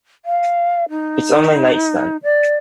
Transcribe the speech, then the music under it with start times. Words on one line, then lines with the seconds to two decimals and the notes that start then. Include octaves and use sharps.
It's on my nightstand.
0.25 F5
0.89 D#4
2.23 D5